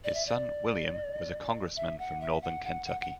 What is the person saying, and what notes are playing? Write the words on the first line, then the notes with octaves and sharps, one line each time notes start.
His son William was a congressman from Northern Kentucky.
D5
E5
D5
E5
F#5
E5
F#5
F#5
F#5
F#5